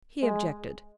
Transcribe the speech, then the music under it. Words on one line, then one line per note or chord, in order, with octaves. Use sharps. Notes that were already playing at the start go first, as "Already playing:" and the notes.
He objected.
G#3